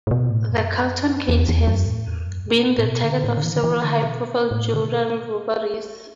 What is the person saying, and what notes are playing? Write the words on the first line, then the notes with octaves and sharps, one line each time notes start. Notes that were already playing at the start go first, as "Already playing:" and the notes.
The Carlton Cannes has been the target of several high-profile jewelry robberies.
A2
B2
A2
F#2
E2
E2
F#2
A2
E2
F#2
B2
A2
A2
B2
D3
A2
D3
E3
D3
E3
D3
B2
A2
D3
B2